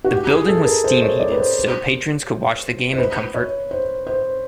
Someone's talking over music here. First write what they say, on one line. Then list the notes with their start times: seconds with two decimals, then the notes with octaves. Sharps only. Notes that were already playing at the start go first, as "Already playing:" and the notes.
The building was steam heated so patrons could watch the game in comfort.
0.04 F#4
0.12 G4
0.30 G#4
0.48 A4
0.65 A#4
0.84 C5
1.02 C#5
1.20 D5
1.32 B4
1.38 C5
2.93 C5
2.98 B4
3.34 C#5
3.71 C5
4.07 C5